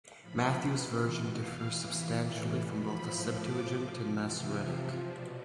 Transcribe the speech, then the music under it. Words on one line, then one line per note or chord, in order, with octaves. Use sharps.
Matthew's version differs substantially from both the Septuagint and Masoretic.
A2 F3 B5
B2
C3 C6
E3
B2
B2 F5
A2 E3
C3 E3 E5
A2 E3 D5
B2 B5
A2 F3 B5
A2 F3
A2 F3 D6
C3 F3
B2
C3 E3 A5
C3 F3 G#5
C3 F3 E5
B2 D5